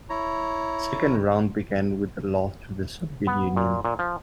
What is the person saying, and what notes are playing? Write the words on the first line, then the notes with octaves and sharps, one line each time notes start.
The second round began with a loss to the Soviet Union.
E4 C#5 A#5
B3
A#2
A#2
F3